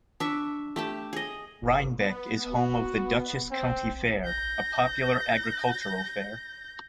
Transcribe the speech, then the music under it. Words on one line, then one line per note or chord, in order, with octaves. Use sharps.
Rhinebeck is home of the Dutchess County Fair, a popular agricultural fair.
D4 E5 C#6
A3 G4 A5
G#4 D#5
G1
B3
F#4
C4
G6 A#6